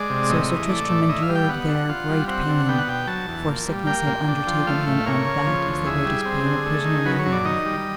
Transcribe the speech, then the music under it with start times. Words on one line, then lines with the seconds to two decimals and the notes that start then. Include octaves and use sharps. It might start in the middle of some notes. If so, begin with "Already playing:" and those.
So Sir Tristram endured there great pain, for sickness had undertaken him, and that is the greatest pain a prisoner may have.
Already playing: G#3 D5
0.10 C3
0.30 A2 D#5
0.49 E3
0.69 A3 D5
0.89 A2
1.09 E4 D#5
1.22 F5
1.29 G3
1.35 G5
1.49 B3 F#5
1.68 D3
1.89 F4
2.09 G3
2.28 C4 F#5
2.48 D3
2.69 B3 G5
2.78 F#5
2.87 B2 G5
3.07 F#3 A5
3.28 E2
3.47 A#2
3.68 G3
3.87 A#3 G5
4.07 A#2
4.28 D4
4.47 F3
4.67 A3 F5
4.87 A2
5.06 A#3 C#5
5.26 C#3
5.46 F3
5.66 D2
5.86 E4 G#4
6.05 G3
6.25 C4
6.45 D3
6.66 A3
6.85 D#3
7.05 F#3 B4
7.19 C#5
7.26 F#2
7.32 D5
7.45 D#3 D#5
7.66 G3